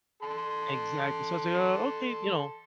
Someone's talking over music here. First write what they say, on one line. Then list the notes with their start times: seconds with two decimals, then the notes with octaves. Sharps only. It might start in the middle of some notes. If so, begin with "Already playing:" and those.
Exactly. So I was like, "Oh, okay," you know,
0.23 A4 A5 C6